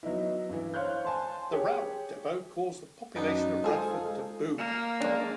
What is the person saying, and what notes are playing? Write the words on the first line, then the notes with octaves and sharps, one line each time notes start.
The Railroad Depot caused the population of Radford to boom.
F#3 B3 D#4 E4
G2 E3
C5 C#5 F5 F#6 G6
G#5 A5 C6
G4 G#4 C#5
F#2 B3 D4 D#4
G#3 F4 G#4 A4 C5 F5
A#3
G#3 D4